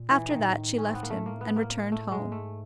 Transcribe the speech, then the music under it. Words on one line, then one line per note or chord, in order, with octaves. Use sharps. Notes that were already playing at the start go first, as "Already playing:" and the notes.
After that she left him, and returned home.
Already playing: A#2
E3
D#3
A#2
A2
C#4
C4
B3
A#3
A3
A#3
B3
A#3
A3
G#3
A#2
A2
G#2 A3